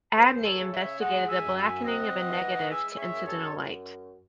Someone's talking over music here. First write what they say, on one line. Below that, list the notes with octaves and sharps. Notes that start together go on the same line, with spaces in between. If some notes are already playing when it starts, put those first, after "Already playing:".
Abney investigated the blackening of a negative to incidental light.
D#2 G#4 C5
A4 C#5
C#3
C#5 E5
G#3 D#5 F#5
E5 G#5
F#2
E5 G#5
C4 D#5 F#5
E3
G#3 E5 G#5
C#5 E5
F#2
A4 C#5